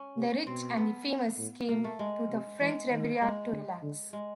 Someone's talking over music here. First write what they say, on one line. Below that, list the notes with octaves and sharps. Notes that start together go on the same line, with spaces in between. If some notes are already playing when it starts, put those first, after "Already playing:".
The rich and the famous came to the French Riviera to relax.
Already playing: C#4
C3
B2 C4
B3
A2
B2 A#3
A3
G#3
C3
E3 G#3
D#3
G#3
D3
D3
G#3